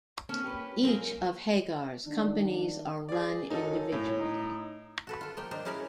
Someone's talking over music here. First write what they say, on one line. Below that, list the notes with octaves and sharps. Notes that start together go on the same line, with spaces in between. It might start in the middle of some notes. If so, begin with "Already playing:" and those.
Each of Hagar's companies are run individually.
A#3 C4 C#4 A4
G4 A#4 B4
F#3 A#3 C4 G#4 A#4
D#3 G3 A#3 D4
G#4 D5
F#2 D#4 A4
A2 C#4
D#4
F#4 A4 B4
F4 A4
F3 A#3 G5
D4 A#4 C5 D#5
C#4 E4 G#4 A#4 C#5 D5